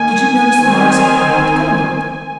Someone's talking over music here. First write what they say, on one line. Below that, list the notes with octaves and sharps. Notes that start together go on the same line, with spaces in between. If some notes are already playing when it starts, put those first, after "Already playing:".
Did you notice the marks on the carpet?--Come and look at them.'
Already playing: D#3 A#3 G#5
D#3 C4